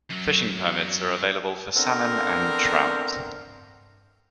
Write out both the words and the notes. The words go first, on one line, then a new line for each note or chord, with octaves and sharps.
Fishing permits are available for salmon and trout.
F#2 F#3
B3 C4 D4 A4 A#4 C5